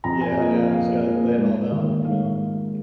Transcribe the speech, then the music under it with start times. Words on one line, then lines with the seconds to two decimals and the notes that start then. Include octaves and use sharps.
Yeah, yeah, you just gotta lay it all down, you know? Like
0.04 F2 A#5
0.21 G#5
0.37 F3 A#3 D#5
0.55 F5
0.71 F2 F5
1.04 F3 A#3
1.38 G#2
1.72 D#3 A#3 D#4
2.04 G#2 F5